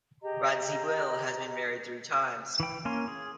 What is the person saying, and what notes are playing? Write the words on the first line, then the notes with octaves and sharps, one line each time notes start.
Radziwill has been married three times.
G4 G#4 D#5 A#5
E3 G5
A#3 C#4 F5 G#5 C6
G#4